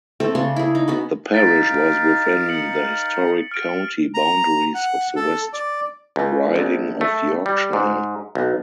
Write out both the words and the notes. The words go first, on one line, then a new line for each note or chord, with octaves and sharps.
The parish was within the historic county boundaries of the West Riding of Yorkshire.
A3 C4 A4
C#3 D4 C#5 C6
E4 G#4
D#4
B3 C#4 F#4
D#4 A#4 F5 A6 B6 D7
C#7 F#7
F6 D7
A#5
F#5
A4
D5
C#2
A#1
A3
G3
G#2
B1